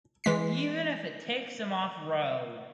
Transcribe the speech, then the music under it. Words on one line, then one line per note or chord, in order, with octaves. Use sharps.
Even if it takes him off road.
E3 G#3 B6 C7